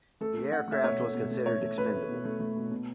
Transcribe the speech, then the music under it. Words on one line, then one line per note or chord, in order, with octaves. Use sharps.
The aircraft was considered expendable.
A3 A4
A3
A3 F#5
A3 E5
B2 C#5
A3
B2
A3
A3 C#5
A3
A3 B4
A3
B2
A3
A3
B2
B2